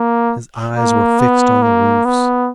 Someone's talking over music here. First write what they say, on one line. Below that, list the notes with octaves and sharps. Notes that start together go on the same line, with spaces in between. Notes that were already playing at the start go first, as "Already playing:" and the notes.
His eyes were fixed on the roofs.
Already playing: A#3
A#3
B3
A#3
B3